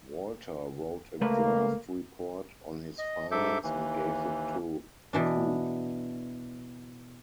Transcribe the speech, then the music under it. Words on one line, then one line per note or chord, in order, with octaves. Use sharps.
Walter wrote a draft report on his findings and gave it to Koop.
C#2 A3 A#3 B4
D#5
G#2 A4 E5 D6 G6
D#2 E3
B2 E3 D4